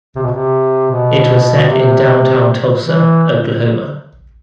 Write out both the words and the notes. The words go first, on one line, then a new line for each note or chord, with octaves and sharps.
It was set in downtown Tulsa, Oklahoma.
C3
B2
C3
B2
C3
E3